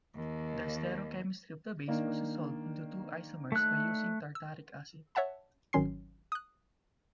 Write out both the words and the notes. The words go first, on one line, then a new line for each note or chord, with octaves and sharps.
The sterochemistry of the base was resolved into two isomers by using tartaric acid.
D#2
D#3 A#3 D4
A3 F#6
E6
C#5 E5 F#5 A5 B5
G#1 D#3 F#3 C#4 C6 C7
D#6 F#6